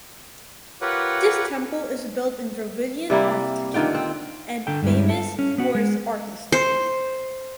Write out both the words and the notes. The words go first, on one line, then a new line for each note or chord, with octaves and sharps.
This temple is built in Dravidian architecture and famous for its artistry.
F4 G4 A#4 B4 C#5 F#5
C3 G3 A#3 E4
D3 D#3 F4 G5
C4
D3 A4 G5
G2 G3 G#3 E4
A4
C#4
B3 F#4
G#3
C5